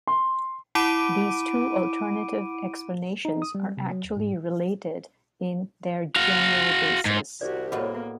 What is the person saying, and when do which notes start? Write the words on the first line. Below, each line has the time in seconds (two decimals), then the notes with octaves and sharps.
These two alternative explanations are actually related in their general basis.
0.07 C6
0.75 E4 F#5 B5 D6 D7 D#7
3.25 D#4
3.42 D#6
3.55 G3
3.77 C3
3.90 F#3
4.04 D#2
4.17 G#2
6.16 F#4 F5
7.06 G#2
7.41 C2 F#4 G4 D5
7.72 A2 A#3 B3 F#4 G#4 D#5